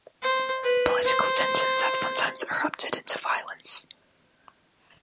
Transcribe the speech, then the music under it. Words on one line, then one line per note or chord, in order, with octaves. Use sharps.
Political tensions have sometimes erupted into violence.
C5
B4
C5